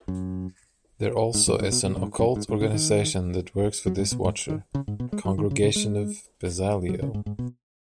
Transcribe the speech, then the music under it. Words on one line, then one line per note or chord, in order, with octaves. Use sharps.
There also is an occult organization that works for this Watcher: Congregation of Bezaliel.
F#2
G#2
F#2
G#2
B2
B2
F#2
G#2
F#2
G#2
G#2
C#3
D#3
F#3
G#2
B2
G#2
D#3
C#3
G#2
B2
G#3
F#3
D#3
C#3
C#3
G#3
F#3
C#3
G#2
G#2
B2